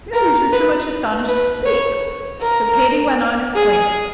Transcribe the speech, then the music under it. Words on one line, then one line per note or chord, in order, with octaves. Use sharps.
The others were too much astonished to speak, so Katy went on explaining.
A#4
B4
B4
C#5
A#4
G#4